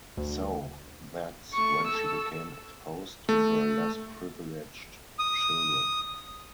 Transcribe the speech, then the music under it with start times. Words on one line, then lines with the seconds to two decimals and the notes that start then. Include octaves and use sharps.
So that’s when she became exposed to the less privileged children.
0.17 D2
1.53 A3 C#6
1.87 A4 E6
3.29 A3
5.19 D#6